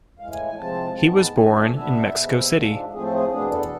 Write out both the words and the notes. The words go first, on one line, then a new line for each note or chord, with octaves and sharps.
He was born in Mexico City.
A2 E3 G#3 F5
G#5
G#5
C3 F3 G#3 C4 A5
G#2 G#3 B3 A5
F2 E3 A3 D4 G#5
B2 B3 D4 E5
E2 C3 G#3 B3
G#2 F3 G#3 D4
A2 F3 A3 C4 G#4
A4
G#4
E2 B2 B3 D4 G#4
A4